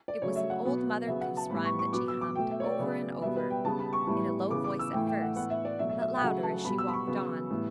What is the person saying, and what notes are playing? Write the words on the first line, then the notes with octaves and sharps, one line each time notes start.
It was an old Mother Goose rhyme that she hummed over and over, in a low voice at first, but louder as she walked on.
D5
C#3 F#3 A3 C#5
E5
F#5
B2 F#3 B3
C#3 F#3 B3 E5
F#5
A5
A2 E3 G3 B3 B5
C#6
C#6
B2 F#3 B3 D6
E6
D6
B2 A3 G5
E5
C#5
D5
C#3 F#3 B3
B2 G3 B3 E5
B4
G5
C#3 G3 B3 A5
B5
C#6
A2 E3 G3 B3
C#3 E3 B3 D6
D6
E6
A2 E3 A3 G5
G5
F#5
A2 E3 B3 F#5
E5
D5
B2 F#3 A3 E5
E5
E5
G5
C#3 F#3 A3 F#5
A5
B2 G3 B3 B5
E6
B5
C#6
C#3 F#3 B3
A2 E3 G3 B3